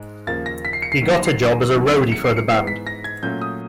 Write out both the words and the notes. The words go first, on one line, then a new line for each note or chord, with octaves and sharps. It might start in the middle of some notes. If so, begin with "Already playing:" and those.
He got a job as a roadie for the band.
Already playing: G#2 G#3
D#2 C#3 F3 A#3 A6
A#6
B6
C7
C#7
C7
D#2 D#3 F#3
A#6
C7
D2 C3 D#3 F#3
C#7
C7
C#7
G#2 E3 G#3 B3 C7
B6
A#6
G#6
A#2 F#3 A3 C#4 G6
D#6